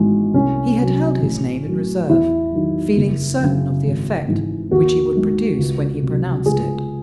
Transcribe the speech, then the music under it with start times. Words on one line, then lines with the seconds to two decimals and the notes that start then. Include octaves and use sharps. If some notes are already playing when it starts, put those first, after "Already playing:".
He had held his name in reserve, feeling certain of the effect which he would produce when he pronounced it.
Already playing: G#1 G#2 E3 G#3 F#4
0.34 C2 C#4
0.78 C3 F#3
1.22 A1
1.66 A2 F#3
2.09 E2 E4
2.52 D#3 F#3
2.97 F#1
3.40 F#2 C#3
3.84 G#1
4.28 G#2 E3 G#3
4.71 D#2 F#4
5.14 D#3 G#3
5.58 C#2
6.02 C3 F#3
6.46 C#2 G#4